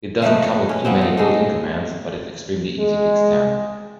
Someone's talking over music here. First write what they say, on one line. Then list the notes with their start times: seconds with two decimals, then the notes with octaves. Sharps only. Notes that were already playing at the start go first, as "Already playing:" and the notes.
It doesn't come with too many built-in commands, but it's extremely easy to extend.
0.22 F3 A3 D#4 B4
0.43 C#5
0.69 C#4
0.85 F3 B3 C4
1.01 D#4
1.17 G#3 D#4 A4
2.79 G#3